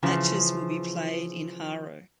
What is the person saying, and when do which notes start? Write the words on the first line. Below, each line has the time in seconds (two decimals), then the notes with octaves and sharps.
Matches will be played in Haro.
0.03 C#3 E3 F3